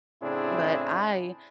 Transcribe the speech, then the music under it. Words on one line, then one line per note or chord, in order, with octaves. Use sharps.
But I
A2 C#3 C4 D4 E4 G#4